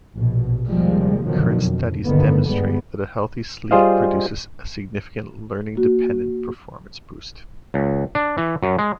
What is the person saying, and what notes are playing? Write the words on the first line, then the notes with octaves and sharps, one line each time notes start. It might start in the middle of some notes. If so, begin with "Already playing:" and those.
Current studies demonstrate that a healthy sleep produces a significant learning-dependent performance boost.
A#1 B2
D#2 C3 F3 G3 G#3
F#2 B2 D3 D#3 F3 F#3
F2
G2 B2 D3 D#3 A#3 B3
G2 G3 G#3 B3
G3 F4 G#4 C5 D#5 F5
A#3 F#4
C#2
D4
E3
F#2
G#3